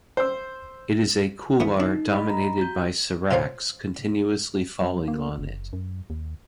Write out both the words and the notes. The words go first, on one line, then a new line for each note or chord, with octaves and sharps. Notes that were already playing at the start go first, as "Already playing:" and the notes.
It is a couloir dominated by seracs continuously falling on it.
C5 E6
G2 E3 B3
D4 D#4
D#5 B5
A#5
F#4 G6
F4 A4 C5 C#5 F5
F#3
A#3
F#1
F#2
D#2